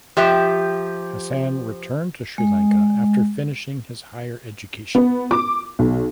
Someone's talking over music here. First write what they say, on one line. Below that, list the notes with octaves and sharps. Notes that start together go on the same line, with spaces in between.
Hassan returned to Sri Lanka after finishing his higher education.
F3 G4 E5
G#3
B3
D6
B1